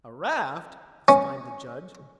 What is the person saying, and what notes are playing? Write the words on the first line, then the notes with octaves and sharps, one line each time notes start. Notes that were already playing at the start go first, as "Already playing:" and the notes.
"A raft!" exclaimed the Judge.
C#4